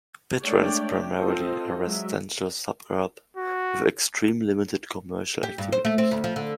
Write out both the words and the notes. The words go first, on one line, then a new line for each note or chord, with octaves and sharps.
Bidwill is primarily a residential suburb with extremely limited commercial activity.
G#3 A3 D4 C#5 D5 G5
C4 F4 A4 C5 D#5
F#3 G#3 E5
F#4
G4
G2
C5
A3
C4
D2
F3
D3